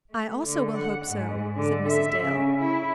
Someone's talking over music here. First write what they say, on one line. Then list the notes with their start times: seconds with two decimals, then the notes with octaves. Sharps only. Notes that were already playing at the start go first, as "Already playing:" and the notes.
"I also will hope so," said Mrs. Dale.
0.11 A3
0.46 D3
0.77 F#5
1.06 G#2
1.57 D3
1.89 E5
2.24 C#3
2.60 E4